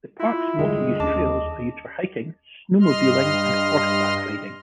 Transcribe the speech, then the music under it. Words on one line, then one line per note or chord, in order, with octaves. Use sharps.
The park's multi-use trails are used for hiking, snowmobiling and horseback riding.
E4 F4
G2 D3 G#3
D#2 C#4 D#5 A5 D6
G2 D#5 C6 F6